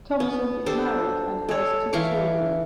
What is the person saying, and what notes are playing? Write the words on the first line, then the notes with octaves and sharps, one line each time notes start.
Thompson is married and has two children.
B3
D4 G4 A4 C5
A4 C#5
E3 F5 C#6 D6